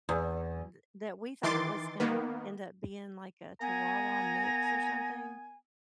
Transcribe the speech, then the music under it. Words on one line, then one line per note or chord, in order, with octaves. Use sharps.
th that we thought was gonna end up being like a chihuahua mix or something,
E2
D#3 E3 C6 D6 A6
D#3 A#3 B3
A#3 B3 G#5 A#5